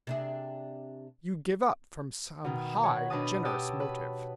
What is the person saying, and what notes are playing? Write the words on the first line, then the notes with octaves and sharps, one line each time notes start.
"You give up from some high, generous motive."
C3 D4 G#4
B2 D#3
C#5 F#5
B2 D4 B4 D#5 A5 D#6
G4 C#5 A5 D#6 E6
B4